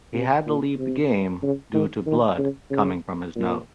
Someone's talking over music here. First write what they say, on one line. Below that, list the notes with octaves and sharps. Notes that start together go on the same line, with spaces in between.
He had to leave the game due to blood coming from his nose.
C3
A#2
C3
C#3
D#3
D#3
C#3
C#3
A#2